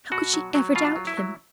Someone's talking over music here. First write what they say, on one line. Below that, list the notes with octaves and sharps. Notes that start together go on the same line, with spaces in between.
How could she ever doubt him?
B2 F#4
F#3
F#3
B2 F4
F#3
E4
F#3